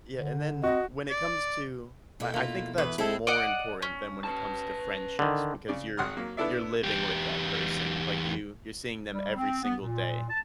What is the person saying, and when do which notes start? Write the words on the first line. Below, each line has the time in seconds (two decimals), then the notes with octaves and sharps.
Yeah, and then when it comes to I I think that's more important than when it comes to friendships because you're you're living with that person. Like, you you're seeing them every single day.
0.15 D3
0.64 C4 F#4 D#5
1.10 D5
2.20 B2 A3 E4
2.34 A#3 F4
2.78 E2 B4
2.98 G#3 C4 E4 G#4 A4
3.27 D5 D#5 F#5
3.82 C#4
4.24 B4 A5
5.19 D3 D#3
5.68 C#3 D5
5.97 G#1 F#5 C6 D#6 F6
6.17 F#3 A#3
6.37 B3 D4 E4 A4 D5 E5
6.84 E2 G4
9.10 G3
9.36 C4
9.63 B3
9.80 A#2
10.30 A5